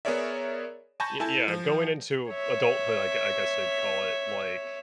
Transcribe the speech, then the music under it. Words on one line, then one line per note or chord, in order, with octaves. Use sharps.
Y yeah. Going into adulthood, I gue I guess I'd call it, like,
B3 G#4 A#4 C#5 D5 E5
G#5 A5 B5 C#6 G6 A#6
E4 A4 G#5 A5
F3
C#5 E5